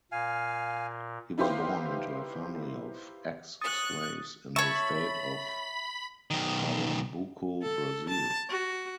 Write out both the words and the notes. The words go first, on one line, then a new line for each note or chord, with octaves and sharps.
He was born into a family of ex-slaves in the state of Pernambuco, Brazil.
A#2 F5 G#5
D#4 E4 G4 B4 C5 F5
C#6 D#6 F#6 A6
C#5 E5 A5 B5 C#6
B1 D#3
A4
A5
F#4